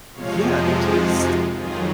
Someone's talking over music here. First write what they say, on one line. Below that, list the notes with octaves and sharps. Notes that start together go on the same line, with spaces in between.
Yeah, they taste
F2 C3 F3 G#3 C#5 F5
D#4 F#4
D#4 F#4
F2 D#3 F#3 F4 G#4